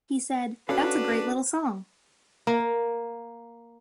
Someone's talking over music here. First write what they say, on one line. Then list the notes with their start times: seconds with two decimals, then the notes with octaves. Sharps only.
He said: 'That's a great little song.
0.69 C#4 D4 F#4 A4 B4 F5
2.47 A#3